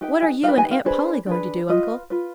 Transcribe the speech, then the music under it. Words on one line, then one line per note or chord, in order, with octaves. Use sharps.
"What are you and Aunt Polly going to do, Uncle?"
D#4 G4 B4 G5
G#5
D#4 G4 B4 F5
G#5
F5
D4 G#4 B4 C5
D4 G#4 B4
F4 B4 D#5
F4 B4